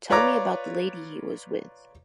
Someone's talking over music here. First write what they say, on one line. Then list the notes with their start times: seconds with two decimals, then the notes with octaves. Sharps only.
Tell me about the lady he was with.
0.10 F4 B4 C#5 D5 A#5 D6